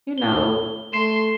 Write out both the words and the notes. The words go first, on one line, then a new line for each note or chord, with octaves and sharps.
you know,
G7
A3 C6 C7 E7